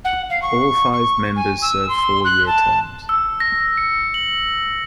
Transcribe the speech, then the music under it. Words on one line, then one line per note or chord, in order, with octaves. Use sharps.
All five members serve four year terms.
F#5
F5
C#6
C#6
G#5
E6
C6
F#6
A5
E6
A#6
C#7
F#7